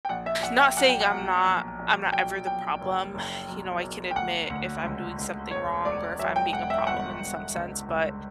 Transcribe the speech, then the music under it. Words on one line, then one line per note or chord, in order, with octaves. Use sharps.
Not saying I'm not I'm not ever the problem. You know, I can admit if I'm doing something wrong or if I'm being a problem in some sense, but,
G5
A#1 F#5
E5
A#1 F#5
G5
B1 F#5
G5
F#5
B1
A#1
A#1
B1 G5
B1 G5
F#1
F#1
B1
B1
G5
D2 F#5
D2
C#2
C#2
E1 C#5
E1 D5
F#3 E5
G5
E1 F#5
E5
G1 F#5
G1
C#2
C#2